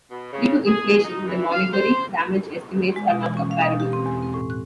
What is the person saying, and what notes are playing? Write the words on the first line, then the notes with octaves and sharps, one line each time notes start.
Due to inflation, the monetary damage estimates are not comparable.
B2
C#3
G#4
D#4
E3
F5
C5
G#3
B2
E3
C#4
F5
B2
G4
C4
E2
C4
A2
F#6